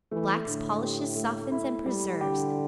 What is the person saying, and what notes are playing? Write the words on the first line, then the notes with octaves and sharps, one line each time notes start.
Blacks, polishes, softens and preserves.
E3 A3
A2 D3
G4
A3
E4
G3
D3 G4